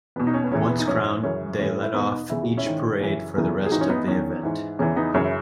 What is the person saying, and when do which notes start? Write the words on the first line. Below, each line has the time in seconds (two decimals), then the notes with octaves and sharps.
Once crowned, they lead off each parade for the rest of the event.
0.16 E2 B2 B3
0.27 D#4
0.34 C#4
0.44 B3
0.52 E2 C#3 E3 C#4
0.69 B3
0.79 D#4
0.87 F#2 E3 C#4
1.23 F#2 C#3 E3 C#4
1.59 A2 E3 C#4
1.83 E4
1.94 E2 B2 B3 D#4
2.30 E2 C#3 E3 E4
2.43 F#4
2.57 C#4 E4
2.65 G#2 D#3
3.01 F#2 C#3 E3
3.36 E2 C#3 E3
3.66 G#4
3.72 G#2 E3 D#4 F#4
3.81 C#4
3.90 B3 D#4
4.08 E2 D#3 C#4
4.43 G#2 E3
4.79 E2 C#3 E3 C#4
4.96 B3 D#4
5.14 F#2 C#3 E3 C#4 E4
5.24 E4